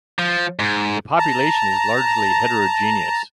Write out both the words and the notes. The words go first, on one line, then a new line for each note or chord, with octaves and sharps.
The population is largely heterogeneous.
F3
G#2
A5 A#5